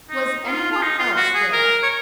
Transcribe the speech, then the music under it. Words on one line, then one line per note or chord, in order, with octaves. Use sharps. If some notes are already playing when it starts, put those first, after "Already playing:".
Was any one else there?
D#4
F4
F4
D#4
F4
F#4
G#4
A#4
C#5